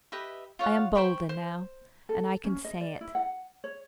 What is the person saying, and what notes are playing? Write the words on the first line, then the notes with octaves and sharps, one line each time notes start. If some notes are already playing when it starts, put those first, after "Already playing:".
I am bolder now, and I can say it.
G4 B4 D#5 E5
F4 C#5 F5 F#5
C5 G5 B5 C#6
C5
A4
C#4
D#5
D5
E4
F#5
C#5